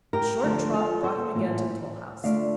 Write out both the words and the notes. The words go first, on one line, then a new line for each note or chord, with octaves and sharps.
A short trot brought him again to the toll-house.
G4 A#4
D2 D3 F3 F4 A4
F4 A4
A4 C5
A2 E3 A#3 F4
D3 A3 D4 F4 D5 F5